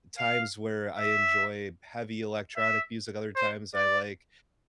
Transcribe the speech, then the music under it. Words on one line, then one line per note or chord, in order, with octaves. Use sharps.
times where I enjoy heavy electronic music, other times I like
F5
E5
E5
C5
D5